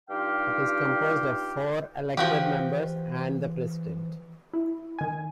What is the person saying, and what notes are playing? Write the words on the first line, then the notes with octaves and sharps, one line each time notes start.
It is composed of four elected members and the President.
G2 D#4 F4 G4 F5 G5
E3 F3 F#4 G4
E4
D#3 G#5